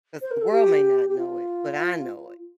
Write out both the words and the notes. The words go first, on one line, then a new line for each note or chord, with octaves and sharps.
'Cause the world may not know it, but I know it.
C5
A#4
A4
G4
G4
F4